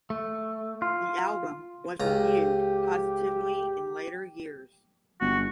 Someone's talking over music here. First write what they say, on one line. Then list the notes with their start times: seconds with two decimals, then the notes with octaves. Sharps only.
The album was reviewed positively in later years.
0.10 A3
0.82 F4
2.00 C#2 G4 A#5
5.21 G1 F#4